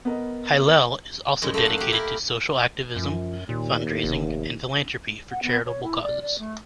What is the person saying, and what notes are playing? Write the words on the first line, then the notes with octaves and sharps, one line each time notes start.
Hillel is also dedicated to social activism, fundraising, and philanthropy for charitable causes.
B3 A#4 D#5
F#2 G#3 D#4
A3 A#3 C5
F#5
G4 F#5
E4 A#4
F#2 F3
D#2 A#2
F1
F#5
B3
C#5
E4
D5
D5
A3